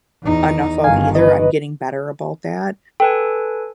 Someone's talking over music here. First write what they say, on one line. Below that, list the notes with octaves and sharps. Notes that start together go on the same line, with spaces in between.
enough of either, I'm getting better about that,
E2 D#4
G1 D#3 F5 G#5
B4 D#5
A4 B4 G5 G#5